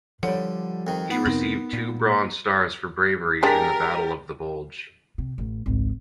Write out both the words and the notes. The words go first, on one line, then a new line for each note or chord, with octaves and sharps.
He received two bronze stars for bravery in the Battle of the Bulge.
D3 F3 G3 C#5
F2 D#3
B3 D#4
F2 C3 C4 D#4 A#4
A#2
A#3
G#3 D4 G4 G#4 A#4 A6 B6
C3
A1
G#1 C#2